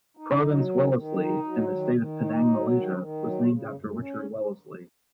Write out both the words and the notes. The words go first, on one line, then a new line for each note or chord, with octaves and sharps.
Province Wellesley, in the state of Penang, Malaysia; was named after Richard Wellesley.
D#4
F#3
D#3
D#3
D#4
F#3
D#3
D#3
D#4
F#3
D#3
D#3
F#3
C#3
F#2
C#4